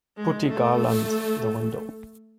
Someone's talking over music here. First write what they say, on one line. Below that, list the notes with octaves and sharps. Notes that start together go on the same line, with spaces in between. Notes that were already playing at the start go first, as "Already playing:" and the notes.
Putti garland the window.
G#3
A3